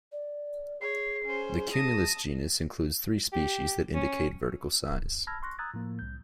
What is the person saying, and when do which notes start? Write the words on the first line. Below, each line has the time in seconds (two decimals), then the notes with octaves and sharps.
The cumulus genus includes three species that indicate vertical size.
0.12 D5
0.81 G#4 C#5 C7
1.25 C#4 C5
1.74 A5 D#6 A#6
3.33 G4
3.94 C#4
5.27 A5 B5 E6 F6 G#6 A#6
5.43 C6 C#6 F#6 A#6
5.59 A#5 D#6 E6 F#6 G#6 A6
5.74 A2 F3 A#3
5.99 C2 G6